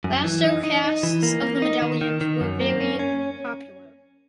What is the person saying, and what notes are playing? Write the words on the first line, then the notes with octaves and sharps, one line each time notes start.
Plaster casts of the medallions were very popular.
F#2
E3
D#4
D#4
D#4
E3
A#3
A#3
D#4
D#3
D#3
D#3
F#2
A#3
C#4
C#4